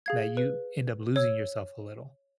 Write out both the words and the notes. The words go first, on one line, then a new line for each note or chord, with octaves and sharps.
that you end up losing yourself a little.
G#4 F5 G#6
B4
C#5 E6